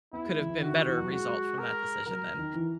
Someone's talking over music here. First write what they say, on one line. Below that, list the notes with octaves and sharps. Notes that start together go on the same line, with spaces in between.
could have been better result from that decision then?
B3 E4
G#3
E3
E3
D#3 F#4
D#3
E3
F#3
G#3 F#4
A#4
F#3 A#4
D#3
E3